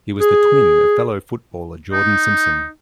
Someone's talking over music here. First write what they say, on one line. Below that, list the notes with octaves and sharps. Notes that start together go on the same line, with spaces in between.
He was the twin of fellow footballer Jordan Simpson.
G#4
D#4